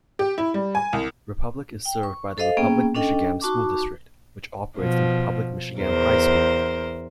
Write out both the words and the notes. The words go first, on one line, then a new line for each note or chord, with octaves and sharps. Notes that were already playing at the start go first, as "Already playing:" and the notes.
Republic is served by the Republic-Michigamme School District, which operates the Republic-Michigamme High School.
G4
E4
G3
G#5
C2
G5
C#6
A4 C5 D#5 F5
A#3 B3 C#4 G#4 G5
C#4 D4 A4 D#5 G5
D#4 F#4 A5 C#6 D6
B2 F3
E2 A#4 C5